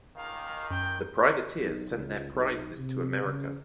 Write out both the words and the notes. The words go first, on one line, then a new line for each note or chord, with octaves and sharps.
The privateers sent their prizes to America.
C#2 D#3 F5
F#2 G5
B1
C#2
B1
C3
C#3